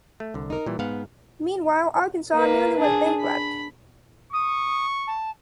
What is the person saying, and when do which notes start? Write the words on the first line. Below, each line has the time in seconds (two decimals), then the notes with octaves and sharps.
Meanwhile, Arkansas nearly went bankrupt.
0.20 A3
0.34 C2 D3
0.50 D#4 A#4
0.66 A#2 E3 G3
0.79 G#2 B3 F5 F#5
2.33 A#3 B4
2.78 D4 G#4
3.21 B5
4.32 C#6 D#6
5.07 A5